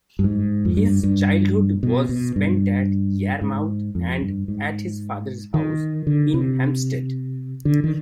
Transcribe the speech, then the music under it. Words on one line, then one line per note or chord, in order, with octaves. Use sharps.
His childhood was spent at Yarmouth and at his father's house in Hampstead.
G2
G#2
F2
G2
G2
B2
B2
G2
G#2
F2
G2
G#2
D#3
D3
C3
D3
D#3